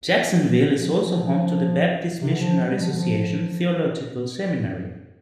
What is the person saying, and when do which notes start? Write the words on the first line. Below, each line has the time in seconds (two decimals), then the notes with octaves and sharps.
Jacksonville is also home to the Baptist Missionary Association Theological Seminary.
0.48 F3
0.57 D3
0.78 F3
0.98 F3
2.21 C3
2.31 D3
2.40 F3
2.70 G3
2.79 F3
2.88 D3
2.96 F3